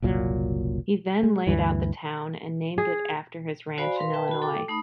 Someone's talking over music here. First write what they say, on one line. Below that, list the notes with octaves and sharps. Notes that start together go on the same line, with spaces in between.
He then laid out the town and named it after his ranch in Illinois.
F#1 C2 A#2 F#3
G#3
D2 G2 E3
G#4
F#4 C5 D5 F5 G#5 B5
A#4 B4 F5 C6
B4 E5 G5 A5
F#4 B5
A4 G5 D6
A3 D#4 B5 D#6